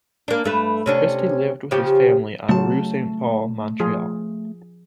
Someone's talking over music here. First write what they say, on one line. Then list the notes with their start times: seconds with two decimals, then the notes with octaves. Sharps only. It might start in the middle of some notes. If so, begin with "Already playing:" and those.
Christie lived with his family on Rue Saint-Paul, Montreal.
0.28 A#3 D4
0.44 G2 A3 B4
0.86 C3 C#4 D4
1.71 C#3 F3 G4
2.49 C#3 F#3 A3 F4 A5
3.80 F3 F4 G#4